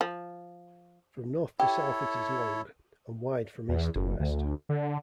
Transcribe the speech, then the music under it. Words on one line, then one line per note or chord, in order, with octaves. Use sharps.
From north to south it is long, and wide from east to west.
F3
E4 G4 A4 C#5
E2
F#1
D2
D3